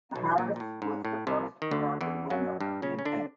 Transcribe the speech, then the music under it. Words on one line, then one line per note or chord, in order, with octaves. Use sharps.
Zaharias was the first American winner of the event.
B1 B2
A#1 A#2
A#2
A2
G#2
A2
C2 C3
D#3
D2 D3
E2 E3
F#2 F#3
G2 G3
C#3 C#4
C#4
D3 D4